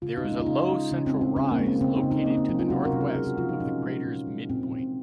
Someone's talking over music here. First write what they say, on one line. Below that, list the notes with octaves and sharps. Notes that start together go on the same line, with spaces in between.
There is a low central rise located to the northwest of the crater's midpoint.
C#3 F4
D#4
G#3
C#4
F4
C#3 D#4
G#3
C#3 C#4
C4
G#3
C4
C#3 C#4
A#3
G#3
C4
C#3 C4
D#4
C#3
D#4
A#3 C4
C4
F#3 C#4
F4
C3 F#4
A#4
C3
A#4
G#3 G#4
F#4
F3 F4
D#4
A#2 C#4
G#3
A#2
G#3
A#2 C4
A#2
C4